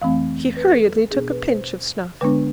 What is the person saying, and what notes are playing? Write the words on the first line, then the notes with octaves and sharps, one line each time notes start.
He hurriedly took a pinch of snuff.
F2 E3 A3 C4 F5
B4
A4
B4
B2 B3 D4 G#4
B4
C5
D3 G#3 B3 D4 B4